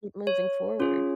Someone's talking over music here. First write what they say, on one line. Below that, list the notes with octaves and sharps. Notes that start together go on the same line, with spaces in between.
keep moving forward.
C#5
C#4 F4 G#4